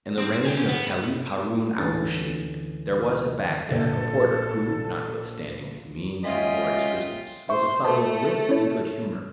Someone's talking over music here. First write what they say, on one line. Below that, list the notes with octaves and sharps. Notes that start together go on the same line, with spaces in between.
In the reign of Caliph Haroon al Rusheed, there was at Bagdad, a porter, who, notwithstanding his mean and laborious business, was a fellow of wit and good humour.
C4
G#4 G5
B3
D2 D3 E3 C#4 A6
A#1 A4
G#3 C#4 F4 D#5 E5 G5
C5 E5 C#6
A3 C5 A5
C#4 E4 C#5